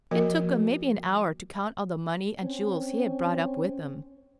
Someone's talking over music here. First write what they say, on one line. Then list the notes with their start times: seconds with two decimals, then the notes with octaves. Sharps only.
It took him maybe an hour to count all the money and jewels he had brought up with him.
0.11 F3 A#3 F#4 A#4 D#5
2.42 C4 C#4